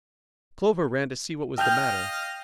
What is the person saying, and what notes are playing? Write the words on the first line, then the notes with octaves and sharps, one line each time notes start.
Clover ran to see what was the matter.
D#5 F5 G5 F6 G6 F7